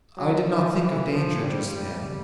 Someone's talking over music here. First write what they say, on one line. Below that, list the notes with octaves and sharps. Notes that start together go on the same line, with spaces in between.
'I did not think of danger just then.
F#3
F3
E3
F3
G3
G3